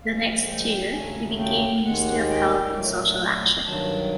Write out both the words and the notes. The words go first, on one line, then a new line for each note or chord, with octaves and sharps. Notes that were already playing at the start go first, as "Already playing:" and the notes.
The next year, he became Ministry of Health and Social Action.
A#2 F3 G#3 F5
G5
D#2 C#3 F#3 A3 G#5
G5
D#2 D#3 G#3 F#5
G5
A#2 F#3 A3
G2 D#3 F#3 A5